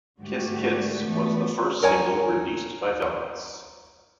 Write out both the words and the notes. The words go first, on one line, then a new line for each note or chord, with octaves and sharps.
"Kiss Kiss" was the first single released by Valance.
G#2 D3 G3 A3 F#4 G4
E3 A3 B3
A#4 C#5 G#5